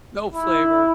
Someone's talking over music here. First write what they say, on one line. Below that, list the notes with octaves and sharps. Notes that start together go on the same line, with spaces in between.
No flavor.
E4